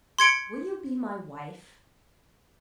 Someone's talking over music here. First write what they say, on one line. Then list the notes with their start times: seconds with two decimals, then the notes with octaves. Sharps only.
Will you be my wife?
0.19 C6 G#6 C#7 D7